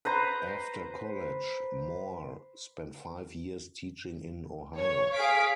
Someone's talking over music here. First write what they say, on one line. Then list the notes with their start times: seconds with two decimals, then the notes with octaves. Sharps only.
After college Moore spent five years teaching in Ohio.
0.05 B4 C5 A#5
4.76 C#5
5.15 G#4 F5 B6 D7